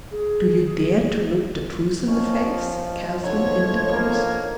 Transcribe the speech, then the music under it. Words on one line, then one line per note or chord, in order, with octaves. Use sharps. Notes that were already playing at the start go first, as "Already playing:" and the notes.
"Do you dare to look the truth in the face?" Catherine interposed.
G#4
D#3 F3 C#4
C2 D3 F3 A3 D#4 C#5
A#3